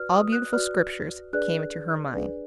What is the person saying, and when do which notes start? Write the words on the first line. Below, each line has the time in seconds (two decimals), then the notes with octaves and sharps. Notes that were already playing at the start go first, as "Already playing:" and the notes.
All beautiful scriptures came into her mind.
Already playing: F#4 B4 D5 F6
0.12 D#6
0.32 F#6
0.53 F#4 B4 D5 F6
1.33 D4 G#4 B4 D5 F#6
2.14 D4 G#4 B4 D5